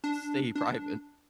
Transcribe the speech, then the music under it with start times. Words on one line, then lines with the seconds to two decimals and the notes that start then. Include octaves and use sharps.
stay private.
0.04 D4
0.55 D4